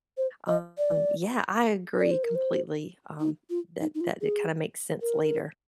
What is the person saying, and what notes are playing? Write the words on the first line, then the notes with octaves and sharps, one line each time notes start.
Um, yeah, I agree completely, um, that that it kinda makes sense later.
C5
D#5
D5
D5
C5
A#4
C5
D#4
F4
D#4
D#4
F4
G#4
A#4